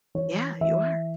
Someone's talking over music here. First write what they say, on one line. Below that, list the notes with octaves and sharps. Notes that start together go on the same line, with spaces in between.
Yeah, you are.
E3 C#5
E3 E5